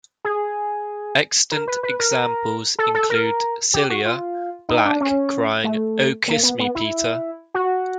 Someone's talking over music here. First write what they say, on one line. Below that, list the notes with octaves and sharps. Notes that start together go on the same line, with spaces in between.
Extant examples include Cilla Black crying 'Oh, kiss me, Peter!
G#4
A#4
B4
B4
A#4
A4
A4
A#4
G4
F#4
F4
D#4
D4
C#4
A3
A#3
B3
B3
E4
F#4